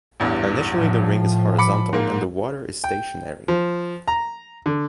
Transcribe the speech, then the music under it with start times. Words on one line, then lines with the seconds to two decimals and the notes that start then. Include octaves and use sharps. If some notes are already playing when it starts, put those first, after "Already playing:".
Initially the ring is horizontal and the water is stationary.
0.20 A1 E2 G2
0.72 A2 F3
1.58 B5 D6 C#7
1.93 G#2 A#3
2.84 G5
3.48 F3
4.08 A#5
4.66 D3